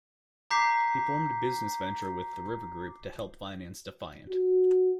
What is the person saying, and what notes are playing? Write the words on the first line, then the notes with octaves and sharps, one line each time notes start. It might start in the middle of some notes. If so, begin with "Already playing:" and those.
He formed a business venture with The River Group to help finance Defiant.
A#5 D6 G6 B6 C7
F#4